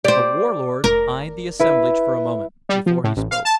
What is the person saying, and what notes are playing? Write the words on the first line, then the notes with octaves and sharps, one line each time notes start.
The Warlord eyed the assemblage for a moment before he spoke.
G4 C5 D5
F1 A#4
E4 B4
G3
F3
A2
A1
F5
A5